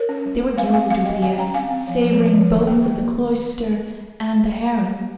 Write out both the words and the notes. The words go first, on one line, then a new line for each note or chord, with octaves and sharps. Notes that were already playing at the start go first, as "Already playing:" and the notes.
They were gilded oubliettes, savouring both of the cloister and the harem.
Already playing: A#4 C#5
C#4
G3
C4
G3 F5 G#5
C4 F5 G#5
G3 F5 G#5
G3 D#5 G5
D#3 F5 G#5
C#4 G5 A#5
C4 F5 G#5
C4
F3
F3
F3
F3
D#3
A#3
D#3
A#3